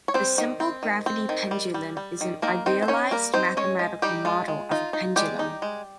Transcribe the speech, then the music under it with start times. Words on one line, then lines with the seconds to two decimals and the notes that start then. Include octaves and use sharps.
The "simple gravity pendulum" is an idealized mathematical model of a pendulum.
0.08 C#5
0.14 G3 C4 C5
0.38 D#3
0.60 C4
0.83 D#3
1.06 C4
1.29 D#3
1.51 G3
1.74 G3
1.97 G3
2.21 D#3
2.42 D#3 A#3 A#4
2.66 D#3 C4 C5
2.82 C5
2.88 D#3 C#4 C#5
3.11 G3 A#3 A#4
3.34 C4 D#4 C5
3.57 G#3 C#4 C#5
3.79 G#3
4.02 G3 D#4 G4
4.25 G#3 F4
4.48 G#3
4.71 D#4 F4
4.93 D#4
5.16 G3 G#3 G4
5.39 D#4
5.62 G#3